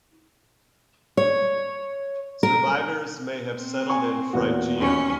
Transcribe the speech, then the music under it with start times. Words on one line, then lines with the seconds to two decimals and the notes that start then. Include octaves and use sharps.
Survivors may have settled in Phrygia.
1.17 C#5
2.43 A#4
3.59 C4
3.90 G#5 C#6
4.33 E2 A#2 F#4
4.77 D#2 C#4